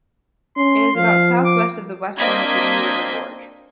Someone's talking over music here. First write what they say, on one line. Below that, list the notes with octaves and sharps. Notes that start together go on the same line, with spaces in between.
It is about southwest of the west rim of the New River Gorge.
C#4 C6
F3 F5
D6
A#3 C4 D4 D#5 G#6 B6